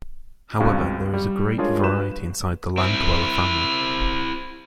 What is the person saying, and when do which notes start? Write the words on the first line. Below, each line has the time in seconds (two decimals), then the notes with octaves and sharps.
However, there is a great variety inside the landdweller family.
0.60 C#2 G2 C4 F#4 F5
1.14 G3
1.58 G#3 D4 F4 G#4 A#4 C#5
1.83 G2 F#4 B4 G6 E7
2.78 C4 E4